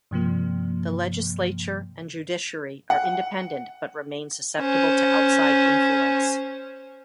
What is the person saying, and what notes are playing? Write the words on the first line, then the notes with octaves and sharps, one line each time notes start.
The legislature and judiciary are independent but remain susceptible to outside influence.
G2 C3 F3 A#3
F#5
C#4 C5